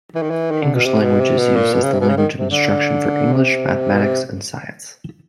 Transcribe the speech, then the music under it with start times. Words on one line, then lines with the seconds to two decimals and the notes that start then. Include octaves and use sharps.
English language is used as the language of instruction for English, Mathematics, and Science.
0.15 E3
0.22 D#3
0.30 E3
0.51 D#3
0.62 D3
0.74 B2
0.86 C3
1.04 B2
1.20 C3
1.39 B2
1.56 A#2
1.73 B2
1.83 C#3
1.92 C3
2.01 B2
2.09 C#3
2.17 D#3
2.38 C3
2.50 D3
3.32 C3
3.94 B2
4.02 C3